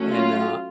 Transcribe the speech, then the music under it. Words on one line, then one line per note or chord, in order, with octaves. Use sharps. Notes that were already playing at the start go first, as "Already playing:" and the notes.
and, uh,
Already playing: F#3 A3 C#4
F4